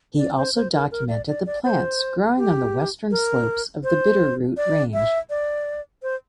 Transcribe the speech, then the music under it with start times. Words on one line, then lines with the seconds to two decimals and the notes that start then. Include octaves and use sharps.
He also documented the plants growing on the western slopes of the Bitterroot Range.
0.18 D5
0.37 C5
0.55 C5
0.72 A#4
0.91 A#4
1.09 D5
1.27 D5
1.46 D5
1.65 C5
2.37 G4
3.11 A#4
3.84 C5
4.57 D5
4.93 E5
5.30 D5
6.03 C5